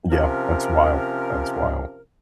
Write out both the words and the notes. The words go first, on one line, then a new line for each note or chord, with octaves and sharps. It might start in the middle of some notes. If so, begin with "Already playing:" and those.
Yeah, that's wild. That's wild.
C3 F3 C#4 A#4